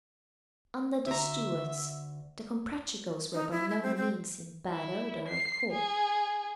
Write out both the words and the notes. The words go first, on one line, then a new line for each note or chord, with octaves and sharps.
Under the Stuarts, the Comprachicos were by no means in bad odour at court.
D2 E5 A#5
D#4
E4
E4
C4
C4
E4
C7
G#4